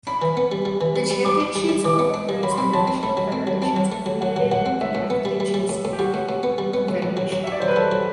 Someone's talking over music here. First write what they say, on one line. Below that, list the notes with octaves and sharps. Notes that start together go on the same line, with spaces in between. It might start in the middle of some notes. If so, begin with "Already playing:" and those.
The championships are organized by national federations affiliated with the African Chess Confederation.
D4 B5
E3
B3
G3
G3
E3
G3
G3
G3 D6
D4
G3
G3
E3 D6
B3
D4
G3
F#3 B5
C6
C4 B5
F#3 A5
C4
A3 B5
F#3
C4
F#3
C4 A5
F#3
A3
F#3
F#3 F#5
F#3
F#3 F#5
C4
A2 E5
A2
B3
G3
G3
G3
A2
A2
G4
G3 F#4
A2
A2
B3
G3
B3
A2
A2
F#3
F#3
E5
F#4 D5
F#3 C5
B4
F#3 A4
F#3